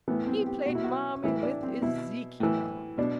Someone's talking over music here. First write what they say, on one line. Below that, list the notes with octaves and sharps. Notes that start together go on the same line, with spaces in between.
He played Marmy with Ezekiel!
A2 E3 B3
C4
G4
B2 F#4
E4
F#4
A2 E3 E4
D4
C4
B2 E4
A2 E3
B2 D4